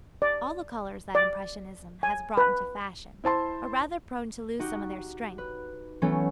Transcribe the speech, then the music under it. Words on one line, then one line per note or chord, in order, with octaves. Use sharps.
All the colours that Impressionism has brought into fashion, are rather prone to lose some of their strength.
D5
D5
G#5
B4
E4 C5 A5 C6
D#4 F#4 G4
B4
E3 F#3 A3 B3 C#4